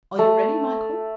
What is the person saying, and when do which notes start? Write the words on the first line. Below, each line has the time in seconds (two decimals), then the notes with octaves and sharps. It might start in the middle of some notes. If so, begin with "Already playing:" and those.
"Are you ready, Michael?"
0.19 A3